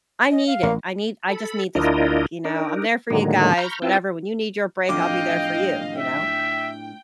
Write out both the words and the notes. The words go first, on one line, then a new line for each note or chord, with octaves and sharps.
I need it, I need I just need this break, you know? I'm there for you guys, whatever, when you need your break, I'll be there for you," you know?
D#5
F5
A1 A#3
A4 B5
D2 D4 E4 F4 A#4 D#5
D4 D#4 A#4
A2 D3 D#3 F#3 G#3 A#3
A#5 B5 C#6 F6 G6
C4 E4 F4 B4 G5 A5
F2 A2 D4 F4 D#5 F5 G5 D6
E5 G5